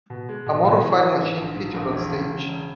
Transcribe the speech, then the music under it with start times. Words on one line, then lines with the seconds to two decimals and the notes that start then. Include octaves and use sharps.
A model Fighting Machine featured on stage.
0.10 B2
0.29 G#3
0.46 B2
0.65 B2
0.83 E3
1.01 E3
1.19 G#2
1.38 A#1
1.56 G#2
1.74 A#1
1.92 E1
2.12 C#3
2.30 C#3
2.48 E1